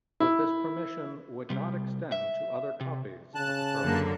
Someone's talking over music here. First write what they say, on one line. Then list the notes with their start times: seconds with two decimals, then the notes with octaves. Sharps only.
But this permission would not extend to other copies of the program.
0.20 E4
1.50 C3 G3
2.12 E5
2.81 C3
3.35 C#3 A5 F#6
3.82 F#2 D3 A#3